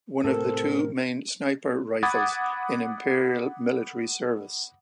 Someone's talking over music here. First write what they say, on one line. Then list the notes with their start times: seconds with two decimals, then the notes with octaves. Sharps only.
One of the two main sniper rifles in imperial military service.
0.24 A2 C3 C4 A4 A#4
2.03 F#5 B5 D6 D#6 G#6 A6